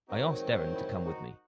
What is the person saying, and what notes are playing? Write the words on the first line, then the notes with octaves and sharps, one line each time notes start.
I asked Deren to come with me.
G#2 D#3 F#3 C4 D#4 F#4
E4 G#4
D#4 F#4